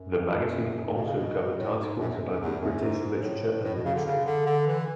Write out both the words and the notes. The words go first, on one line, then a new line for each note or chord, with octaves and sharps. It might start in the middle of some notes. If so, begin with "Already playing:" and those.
The magazine also covered articles about the British literature and music.
Already playing: F#2
E2
F#2
G#2
B2
C#3
B2
A2
G#2
F#2
E2
F#2
E2
F#2
G#2
A2
A2
B2
C#3
D3
C#3
D3
D3
E3